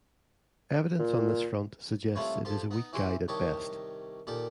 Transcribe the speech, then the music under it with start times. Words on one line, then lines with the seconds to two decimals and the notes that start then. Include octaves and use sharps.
Evidence on this front suggests it is a weak guide at best.
0.99 A#2
2.15 C2 A3 F4 B4 C#5
2.45 F3 F4 G4 A4
2.71 B3 D#4 D#6
2.93 E3 C#4 E4 G4 C5
3.28 C2 D#3 G4 C#5 D#5 A5
4.27 A#2 D#3 G4 A4